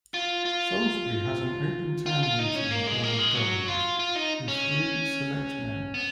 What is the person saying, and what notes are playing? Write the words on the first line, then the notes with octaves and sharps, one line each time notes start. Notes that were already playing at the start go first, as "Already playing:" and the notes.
Salisbury has an Open Town Meeting form of government, with three Selectmen.
F4
F4
F4
F4
D#4
C#4
A#3
G#3
A#3
G#3
F#3
F4
F4
D#4
C#4
B3